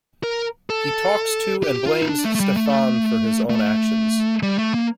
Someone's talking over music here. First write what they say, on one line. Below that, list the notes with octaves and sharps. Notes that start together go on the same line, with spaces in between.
He talks to and blames Steffen for his own actions.
A#4
A4
G4
F4
D#4
D4
A3
A3
G3
A3
A3
G3
A3
A#3